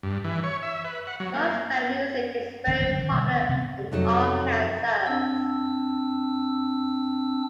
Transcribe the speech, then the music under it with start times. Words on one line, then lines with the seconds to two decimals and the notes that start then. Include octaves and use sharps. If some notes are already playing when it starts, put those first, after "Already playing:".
Gospel music is very popular in Arkansas.
0.03 G2
0.24 E3
0.44 C#5
0.63 E5
0.85 B4
1.07 F#5
1.20 F#3
1.34 A#3
2.67 D3 A#3 B3 C#4
2.80 G1 D#2 F#3 C#4
2.99 D#3 F3 A#3
3.11 B2 D3 E3 G3
3.34 D2
3.49 C3 B3
3.92 F2 C3 F#3 D#4 A4 A5
5.07 C4 D4 E6